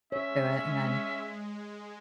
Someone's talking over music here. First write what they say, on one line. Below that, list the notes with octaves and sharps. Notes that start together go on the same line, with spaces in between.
it, and then,
G#3 C#4 C#5 E5